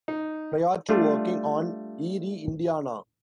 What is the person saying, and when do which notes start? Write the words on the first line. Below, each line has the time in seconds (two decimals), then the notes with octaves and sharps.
Prior to working on "Eerie, Indiana".
0.08 D#4
0.89 G3 A3 D4 F4